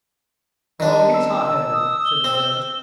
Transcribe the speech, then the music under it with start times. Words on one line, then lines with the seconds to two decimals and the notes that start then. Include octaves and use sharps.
"Oh, he's hot-headed," said the Judge.
0.80 D#3 D4
1.14 E6
1.73 D#6
2.05 G7
2.24 C4